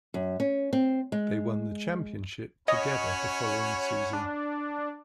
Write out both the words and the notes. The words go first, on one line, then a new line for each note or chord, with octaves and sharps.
They won the championship together the following season.
F#2
C#4
C4
G#3
C#4 F#4 C#5 D#5 B5
D4